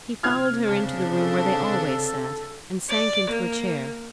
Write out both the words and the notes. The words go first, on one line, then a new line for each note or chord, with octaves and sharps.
He followed her into the room where they always sat, and sank into a chair.
C3 F6 G#6
C#3 D4
A4
D5
A#3